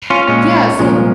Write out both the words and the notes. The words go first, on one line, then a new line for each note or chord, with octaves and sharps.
eh, yeah, so
C#4 F4
A#2 G#3 C#4
C2 A#2 F3 G#3